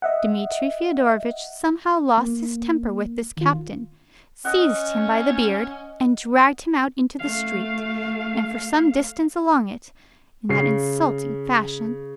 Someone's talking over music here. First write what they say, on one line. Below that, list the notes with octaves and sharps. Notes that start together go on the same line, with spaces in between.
Dmitri Fyodorovitch somehow lost his temper with this captain, seized him by the beard and dragged him out into the street and for some distance along it, in that insulting fashion.
D#5 E5 F#5
A#3
D#3 F4
C#4 D#5 F#5
A3 F5
C#3 C7